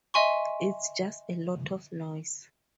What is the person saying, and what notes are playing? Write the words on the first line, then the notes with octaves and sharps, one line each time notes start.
It's just a lot of noise.
D#5 E5 G#5 C6 C#6